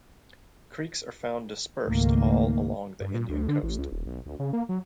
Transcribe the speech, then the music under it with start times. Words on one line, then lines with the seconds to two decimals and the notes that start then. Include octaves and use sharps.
Creeks are found dispersed all along the Indian coast.
1.84 C#2 G#2 D#3 A3 A#3
3.01 G2
3.14 A#2
3.29 D2
3.48 D3
3.63 A1
3.78 C#2
3.92 D#1
4.06 B1
4.26 D2
4.39 C#3
4.53 A#3
4.69 F#3